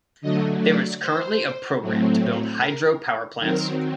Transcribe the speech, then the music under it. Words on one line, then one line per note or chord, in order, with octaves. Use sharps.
There is currently a programme to build hydro power plants.
D3 F#3 A3 D#5
D5
C5
A2 F#3 A3 C4
A#4
D#3 F#3 C4 A#4